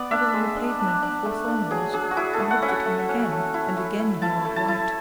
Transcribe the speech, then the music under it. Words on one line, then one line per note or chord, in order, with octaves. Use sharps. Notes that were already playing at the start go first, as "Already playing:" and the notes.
I was on the pavement before Thorn was, and looked at him again, and again he went white.
Already playing: B3 D5
D4 E5
G#3
D4
D4
D4
A3
D4
F#3 G#4
D4 G#4
F#4
E4 G#4
A4
A3
F#5
C#4 E5
F#5
A3
C#4
A3
E4
A3
E4
E4 A5
A3
A5
E4